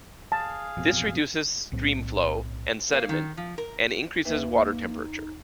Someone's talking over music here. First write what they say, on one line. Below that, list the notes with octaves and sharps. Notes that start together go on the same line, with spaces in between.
This reduces streamflow and sediment and increases water temperature.
G#4 F5 A5
A1 F2 B2
B1 A2 C4
A#3
D#3
F3
A#4
D#2 A#3 D#4 B4 E5